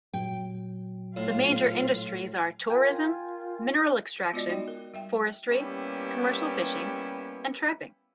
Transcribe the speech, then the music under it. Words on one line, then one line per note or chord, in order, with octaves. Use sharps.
The major industries are tourism, mineral extraction, forestry, commercial fishing and trapping.
A#2 F#3 G5
A2 F4 F5
F4 A#4 G5 G#5
G#3 B3 F4 F#4 D5 D#5
D#4 F#4 D5 D#5 G5
A#4
G3 E5 G5
G3 A#3 B3 C#4 E4 G4